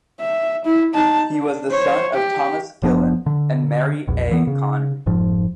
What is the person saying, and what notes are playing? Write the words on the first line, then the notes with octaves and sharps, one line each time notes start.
He was the son of Thomas Gillen and Mary A. Conry.
E5
E4
D#4 A5
D4
C5 C#5
G4
F#1 F3 B3 D4
D3
A#1 E2
E3 B3
C#3
F1 G#2 F3